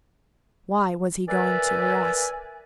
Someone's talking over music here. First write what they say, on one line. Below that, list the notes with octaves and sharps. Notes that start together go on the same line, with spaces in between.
Why was he going to Arras?
A#4 B4 D5 E5 G#5